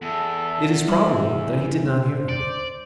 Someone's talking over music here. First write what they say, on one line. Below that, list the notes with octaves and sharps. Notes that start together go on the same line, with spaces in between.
It is probable that he did not hear them.
E2 A4
G3 E4 F#7
C5
D5